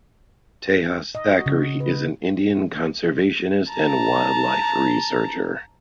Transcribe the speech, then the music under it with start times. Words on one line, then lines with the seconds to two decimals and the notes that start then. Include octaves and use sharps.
Tejas Thackeray is an Indian conservationist and wildlife researcher.
1.15 D#5
1.29 F#4
1.46 C#3
1.80 B4
3.71 A5 A#5